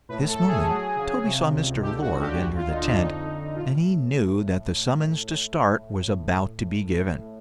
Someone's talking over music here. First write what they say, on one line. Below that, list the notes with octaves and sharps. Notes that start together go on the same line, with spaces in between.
At this moment Toby saw Mr. Lord enter the tent, and he knew that the summons to start was about to be given.
A2 B4
A4
A3
G#4
F#3
C#3
C3
C#2
D3 G4
F#4
D2
G4
D2 F#4
F4
D3 D#4
D4
D#4
F2 D#4
F2
A2 F4